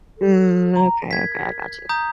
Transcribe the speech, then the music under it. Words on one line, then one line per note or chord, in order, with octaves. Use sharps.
Mm, okay, okay, I got you.
A4
A#5
A#4 G#6 B6
A#5 D#6 G6